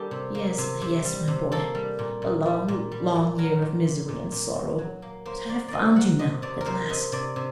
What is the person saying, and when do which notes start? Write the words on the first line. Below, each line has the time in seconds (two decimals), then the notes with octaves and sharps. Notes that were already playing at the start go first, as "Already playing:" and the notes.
"Yes, yes, my boy; a long, long year of misery and sorrow; but I have found you now, at last."
Already playing: G3 A#3 G4 A4
0.11 C3
0.35 A#3
0.58 C3
0.81 C3
1.05 G3
1.28 C3
1.52 A#3 A4
1.75 G3
1.99 A#2
2.22 A#2
2.46 G3
2.68 A#2
2.92 G3
3.15 A#2
3.38 F#3 A#4
3.62 A#2
3.85 A#2
4.09 A#2
4.32 A#2
4.55 A#2
4.78 F#3
5.02 A#3
5.25 A#3 C5
5.49 A#3 D5
5.68 C3 D5 D#5
5.95 A#3 F#5
6.19 C3 D#5
6.42 C3 D5
6.61 A#4
6.66 C3 C5
6.89 C3 D#5
7.12 C3 D5
7.36 C3